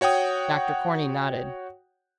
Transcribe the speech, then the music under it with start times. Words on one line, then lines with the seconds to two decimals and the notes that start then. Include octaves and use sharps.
Dr Corney nodded.
0.01 F#4 C#5 F#5 G5 D#6